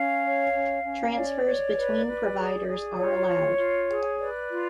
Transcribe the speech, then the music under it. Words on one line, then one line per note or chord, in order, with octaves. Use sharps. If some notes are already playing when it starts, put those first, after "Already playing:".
Transfers between providers are allowed.
Already playing: C#4 F5
C#5
C#4
C#4
C#5 D5
C#5
B4
B4
G#4
G#4
F4 C#5
F4
F4
G#4
B4 D5
F4